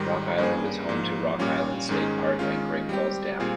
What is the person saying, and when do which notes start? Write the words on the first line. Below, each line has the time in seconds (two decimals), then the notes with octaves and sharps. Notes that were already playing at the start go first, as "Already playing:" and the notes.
Rock Island is home to Rock Island State Park and Great Falls Dam.
Already playing: G#2 D#3 G3
0.38 G2 G3 A#3 C#4 G#4
0.89 G#2 F3 A#3
1.39 A#2 G3 C#4 F4
1.89 G#2 D#3 G#3 C#4 G#4
2.39 D#3 G#3 C#4 F4
2.89 G3 C4 G4
3.40 A#2 G3 C4 F4 G#4